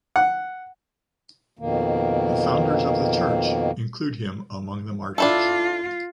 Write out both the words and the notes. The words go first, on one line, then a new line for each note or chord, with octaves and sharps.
The founders of the Church include him among the martyrs.
F#5
F2 B2 D#3 A#3
D4 E4 F4 A4